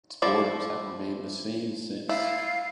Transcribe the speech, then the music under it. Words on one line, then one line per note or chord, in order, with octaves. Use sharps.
Its borders have remained the same since.
F3 E4 D5
E4 F5